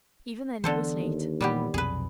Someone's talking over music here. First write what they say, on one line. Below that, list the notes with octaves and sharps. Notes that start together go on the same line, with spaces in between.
Even then it was late.
D3 E3 B3 A4 C5
D#2
A#2 E3 G3 B3 G4
B1 F2 C3 G#4 B4